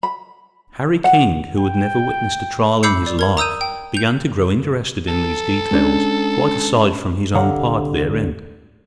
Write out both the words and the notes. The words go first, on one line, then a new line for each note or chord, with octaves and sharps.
Harry King, who had never witnessed a trial in his life, began to grow interested in these details quite aside from his own part therein.
B5
F#5
G5
B5 D6 E6 G6 C7 C#7
D5
A#4 G#6
A#5 D#6 E6 G6 D#7
G5
G6 F7
A4
G#3 C#4 D4
C2 D3 C#5 F5 F#5 A#5